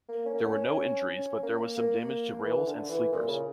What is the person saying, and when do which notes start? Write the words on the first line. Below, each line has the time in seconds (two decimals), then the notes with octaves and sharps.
There were no injuries, but there was some damage to rails and sleepers.
0.09 A#3
0.25 C#4
0.34 A#3
0.45 C#4
1.09 C#4
1.43 A#3
1.77 A#3
2.43 E3
2.66 D3
2.89 E3
3.12 A#2
3.28 C#3